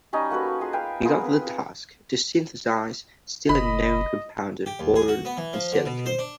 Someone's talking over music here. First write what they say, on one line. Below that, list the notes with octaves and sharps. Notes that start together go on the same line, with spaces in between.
He got the task to synthesize still unknown compounds of boron and silicon.
G3 C#4 D#4 D#5
A#3 F#4 A4 B4
F4 G#4 C6
B4 F5 G5 G#5
B3 F4 G#4 A#4
C4 B4
F#1 D#5 B5
G4
D#2
G#4
F#4
B3
E3
F3
D3
B2
C5
D4